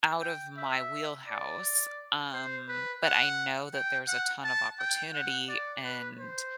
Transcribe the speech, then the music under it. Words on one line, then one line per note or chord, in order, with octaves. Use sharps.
out of my wheelhouse, um, but I know that there's a ton of opportunity and
G5
E5
D5
C5
B4
F#5
G5
F#5
A5
G5
F#5
D5
B4
C5